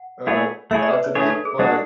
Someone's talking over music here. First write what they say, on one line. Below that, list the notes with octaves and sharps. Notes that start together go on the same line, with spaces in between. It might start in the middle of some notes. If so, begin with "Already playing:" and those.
uh, out to be, but
Already playing: F#5
A3 E4 G#4 C#5
A3 E4 G#4 C#5 E5
D5
B4
C#5
A3 E4 G#4 A4 C#5
A4
G#4
G#3 D4 F#4 A4